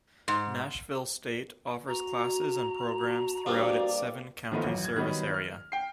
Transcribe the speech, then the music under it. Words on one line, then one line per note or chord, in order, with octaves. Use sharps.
Nashville State offers classes and programs throughout its seven county service area.
G#2
F#4 A#5
G2 F3 G3 A#3 D5
D#3 F3 A3 B3 D#4 F4
A1 F#2
G#6
D#3 F#3 G3 B3 D#4
F6
G5 C7